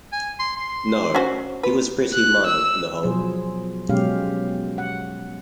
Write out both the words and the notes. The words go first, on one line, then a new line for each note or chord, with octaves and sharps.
No; he was pretty mild, on the whole.
G#5
C6
C6
C#4 F#4 C5
F4 B4
F#6
E6
B2 F3 F#3 G#4 C5
B2 F#3 G#3 C#4 G4 F5
F#5